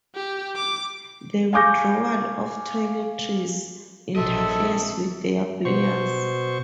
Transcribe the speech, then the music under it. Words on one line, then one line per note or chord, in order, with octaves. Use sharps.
The withdrawal of toiletries interferes with their prayers.
G4
D6
F5 G#5 C#6 D6 G6 A#6
A#1 C4 A4 D#5 E5
B2 C5 C#6